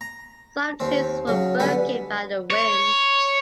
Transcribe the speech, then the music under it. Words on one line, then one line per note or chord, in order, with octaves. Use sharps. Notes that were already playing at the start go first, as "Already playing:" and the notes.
Some trees were broken by the winds.
A#5
D#2 C4
C#3 F#3
D3 G3 B3 B4 G#5
C#5